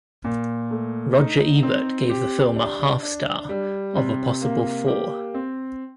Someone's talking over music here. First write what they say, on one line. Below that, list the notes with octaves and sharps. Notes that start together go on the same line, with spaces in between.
Roger Ebert gave the film a half-star of a possible four.
A#2
A3
D#4
C4
G4
D4
D4
G3
C3
A#3
G4
C4